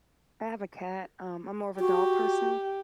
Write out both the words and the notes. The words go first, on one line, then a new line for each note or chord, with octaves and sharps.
I have a cat, um, I’m more of a dog person,
F#4 G4